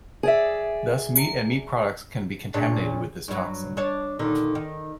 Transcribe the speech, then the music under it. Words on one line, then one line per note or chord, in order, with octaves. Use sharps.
Thus, meat and meat products can be contaminated with this toxin.
G#4 D5 E5
A#2 C#3 D4
G2 F#3
D4 C#5
A#2 D3 D#3
D#3